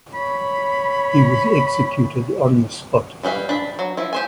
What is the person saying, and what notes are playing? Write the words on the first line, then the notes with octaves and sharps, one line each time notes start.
He was executed on the spot.
C#5 B5
E3 G3 B4 F5
D4 B5
F#3
F3 E4
G4 C5 G#5